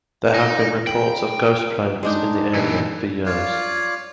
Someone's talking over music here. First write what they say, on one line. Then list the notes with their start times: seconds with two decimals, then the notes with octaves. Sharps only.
There have been reports of ghost planes in the area for years.
0.34 D#4
0.87 G5 B5
2.03 G#3 D4 D#4
2.54 A#2 E3
3.26 F4 C#5 D5 F5